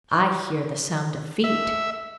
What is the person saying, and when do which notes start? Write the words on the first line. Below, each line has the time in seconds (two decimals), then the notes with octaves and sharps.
"I hear the sounds of feet!"
1.44 E5